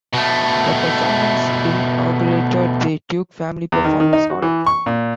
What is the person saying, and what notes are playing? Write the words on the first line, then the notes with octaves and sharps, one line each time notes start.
The performance inaugurated the Duke Family Performance Hall.
B2 A3
E2
D#3
D#3
D#4
F#4
E3
C#6
A#2